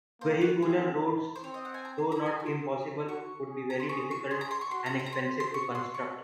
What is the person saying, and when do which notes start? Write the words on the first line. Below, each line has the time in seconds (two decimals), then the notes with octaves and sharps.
Vehicular roads, though not impossible, would be very difficult and expensive to construct.
0.21 A#3 C5
0.41 F#4
0.62 C4 G#4
1.36 C5
1.44 C4 C#5
1.54 D#5
1.65 F#5
1.74 G#5
1.85 A#5
1.98 C6
2.12 A#5
2.26 G#5
2.40 C#6
2.46 C6
3.08 F#4 C#6
3.49 G#4
3.70 A#5
3.80 C6
3.89 G#4 C#6
4.11 C#6
4.31 G#4 C6
4.41 A#5
4.51 C6
4.61 C#6
4.71 F#4 C6
4.86 A#5
4.99 C6
5.06 A#5
5.12 C5 C6
5.40 C6
5.54 C#6
5.75 C6
5.94 C#6